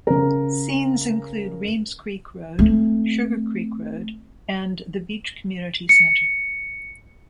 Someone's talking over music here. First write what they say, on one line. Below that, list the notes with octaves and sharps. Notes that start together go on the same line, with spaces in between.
Scenes include Reems Creek Road, Sugar Creek Road and the Beech Community Center.
C#3 A#4
A3 C4
C#7